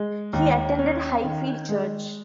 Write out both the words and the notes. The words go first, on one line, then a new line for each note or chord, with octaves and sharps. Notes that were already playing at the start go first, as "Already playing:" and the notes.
He attended Highfield Church.
Already playing: G#3
D#2
C#4
D#3
G#3